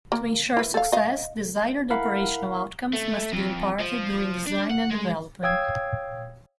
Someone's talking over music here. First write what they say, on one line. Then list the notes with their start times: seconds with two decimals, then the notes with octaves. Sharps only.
To ensure success, desired operational outcomes must be imparted during design and development.
0.12 A#3
0.57 E4 B4
0.74 A4 F5
0.92 D#5 F5
1.90 E4 A#4 F5 F#5 B5
2.93 A3
3.33 F2
3.80 F3
4.47 D4
4.70 F#5
4.91 G#3
5.43 C#5 F5 G5 D#6 E6 G#6